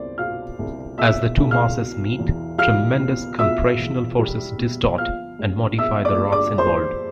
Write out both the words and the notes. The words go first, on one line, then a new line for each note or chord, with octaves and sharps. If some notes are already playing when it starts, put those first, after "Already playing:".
As the two masses meet, tremendous compressional forces distort and modify the rocks involved.
Already playing: C2 B3 C5 D5
B2 F5 F6
C2
B3 E5 E6
C2
F5 F6
B2
E2
G3 F5 F6
B3
B2 E5 E6
E2
G3
B3
F3 F5 F6
G2
B3 E5 E6
D5 D6
G2
D5 D6
F3 C5 C6